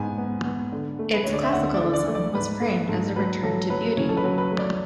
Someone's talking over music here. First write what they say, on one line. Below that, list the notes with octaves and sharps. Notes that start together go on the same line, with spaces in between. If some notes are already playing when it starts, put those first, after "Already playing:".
Its Classicism was framed as a return to beauty.
Already playing: G#2 B3 G#5
B3
B3
D3
A3
B4
D2 C#5
D5
E5
D2 F#5
D5
D3
D5
A3
D5
G#2 B4
A3 B4
G#2 A4
F#3 B4
F#3 A4
F#3 B4
C#3 C#5
A4
B4
F#3
B4
A3
D5